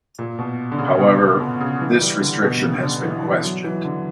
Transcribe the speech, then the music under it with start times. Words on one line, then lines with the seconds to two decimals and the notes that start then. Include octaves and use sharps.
However, this restriction has been questioned.
0.19 A#2
0.39 B2
0.72 D3
0.78 C#3
0.99 B2
1.20 B2
1.40 B2
1.60 C#3
1.81 E3
2.01 G3
2.22 D3
2.42 B2
2.63 C#3
2.83 D3
3.03 E3
3.23 E3
3.43 F#3
3.64 E3
3.85 D3